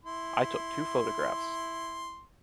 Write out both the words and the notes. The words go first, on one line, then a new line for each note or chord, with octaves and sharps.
I took two photographs.
E4 C6